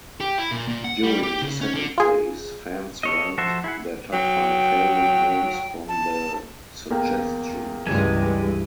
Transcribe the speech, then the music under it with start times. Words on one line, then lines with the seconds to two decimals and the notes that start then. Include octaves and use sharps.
During the second phase, fans ranked their top five favorite names from the suggestions.
0.20 G4
0.38 E4
0.51 A#2
0.68 A#2
0.84 F#5
1.03 G3
1.23 G4
1.42 C#3
1.61 C#4
1.75 D3
1.98 F4 G#4
3.03 A4 C#5 D#5
3.38 F3 F#4 A4 C5 E5
3.64 E4 G#4 F#5
4.13 F#3 G5
5.89 A5
6.90 E2 A#3 G5
7.87 C#2 G2 E3 G3 G#3 G#5